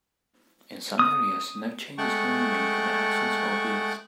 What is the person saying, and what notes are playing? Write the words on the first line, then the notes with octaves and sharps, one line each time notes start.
In some areas, no changes can be made to the axles or wheels.
D#6
G#3 A3 F#5 G5 A5 C#6